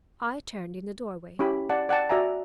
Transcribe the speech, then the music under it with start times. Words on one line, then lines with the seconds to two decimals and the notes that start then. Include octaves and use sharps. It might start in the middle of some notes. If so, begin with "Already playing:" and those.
I turned in the doorway.
1.39 C#4 E4 G4 B5
1.69 D5 F#5 A5
1.89 D5 F#5 G5 A5
2.09 F#4 D5 E5 G#5 A#5